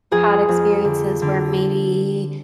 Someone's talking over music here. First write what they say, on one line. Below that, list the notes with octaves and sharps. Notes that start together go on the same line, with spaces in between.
had experiences where maybe,
F2 G#4
F2
D3
D3